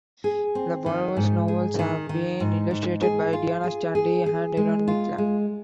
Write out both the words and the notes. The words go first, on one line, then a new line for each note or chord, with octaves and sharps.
The "Borrowers" novels have been illustrated by Diana Stanley and Ilon Wikland.
G#4
C4
D#3
G#2
G#4
D#3
D#3
G#2
G#2
G#4
F4
G#4
G#4
G#4
G#3
F4
G#3